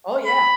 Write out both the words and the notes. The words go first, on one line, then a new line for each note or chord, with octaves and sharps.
Oh, yeah.
B5